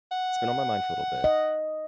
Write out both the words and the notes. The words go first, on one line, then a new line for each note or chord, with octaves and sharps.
it's been on my mind for little bit
F#5
D#5